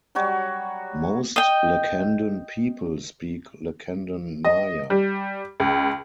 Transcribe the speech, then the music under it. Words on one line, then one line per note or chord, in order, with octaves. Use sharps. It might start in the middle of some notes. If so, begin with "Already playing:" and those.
Most Lacandon people speak Lacandon Maya.
F#3 G3 F#4 C#5
D#5 G5
D#5
G3
C#2